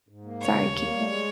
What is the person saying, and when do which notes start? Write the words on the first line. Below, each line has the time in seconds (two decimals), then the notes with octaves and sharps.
sorry, keep going.
0.09 G#2
0.25 A#3
0.41 C#3 C#5
0.58 D#2
0.74 A#3
0.91 G3
1.08 G#3